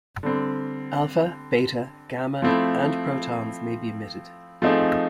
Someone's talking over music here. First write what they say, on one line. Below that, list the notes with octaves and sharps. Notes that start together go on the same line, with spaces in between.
Alpha, beta, gamma, and protons may be emitted.
D3 G3 C4
F3 A3 C4 E4
F3 A3 C4 D#4 G#4